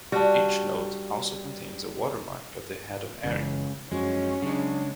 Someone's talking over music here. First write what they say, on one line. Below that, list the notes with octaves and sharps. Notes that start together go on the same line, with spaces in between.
Each note also contains a watermark of the Head of Erin.
G3 D4 F#4
F#1 C#2 A2 C#3 E3
F#2 F3 G#3 C#4 F#4
C#3 F#3 G#3 D4